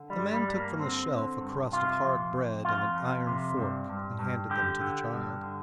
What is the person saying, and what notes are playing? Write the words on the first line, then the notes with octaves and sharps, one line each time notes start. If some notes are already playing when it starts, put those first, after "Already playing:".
The man took from the shelf a crust of hard bread and an iron fork, and handed them to the child.
Already playing: D3
G3
G2
G3
G2
A#3
D3 C4
D3
G2
C3 F4
F2
F2
F2 F4
F2
C3
G2
G2
G2
D3 G4
D3
G2
D3